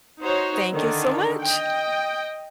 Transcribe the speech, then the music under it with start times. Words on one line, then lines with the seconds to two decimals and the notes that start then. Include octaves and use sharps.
Thank you so much.
0.22 D#4 F#4 C5 C#5
0.73 D3 D#3
1.40 D#5 G5